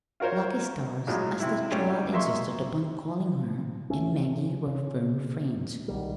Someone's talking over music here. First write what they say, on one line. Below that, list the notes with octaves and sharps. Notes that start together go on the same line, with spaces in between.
"Lucky Stars," as the child insisted upon calling her, and Maggie were firm friends.
F4 F#4 A#4 C5 C#5
A#1 A2 F#3 G#3
C3 E4
G3 A3 C#4 D4 G4
G#3 A#3 E5 C6 C#6
D1 G1 A3 C#4
C#3
C#3
C2 B2 D#3 G3